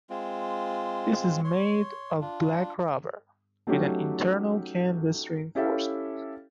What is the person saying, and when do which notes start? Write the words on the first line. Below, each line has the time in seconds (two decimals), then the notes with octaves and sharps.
This is made of black rubber, with an internal canvas reinforcement.
0.10 G#3 C4 F4
1.45 C#5 C6
2.21 D4 F4
3.67 F#3 A3 C#4 D#4 F#4 G4
5.55 C#4 E4 G4 A4 E5 F5